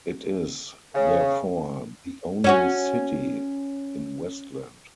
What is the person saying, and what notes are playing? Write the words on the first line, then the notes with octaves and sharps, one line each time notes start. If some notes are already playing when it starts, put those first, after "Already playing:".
It is therefore the only "city" in Westland.
C#3
C#4 F#4 C#5